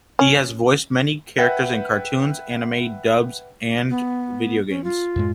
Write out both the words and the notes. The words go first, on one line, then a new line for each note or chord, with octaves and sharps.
He has voiced many characters in cartoons, anime dubs and video games.
C#4
B4 E5 F#5 G5
B3
C#4
F4
F#2 A2 G#3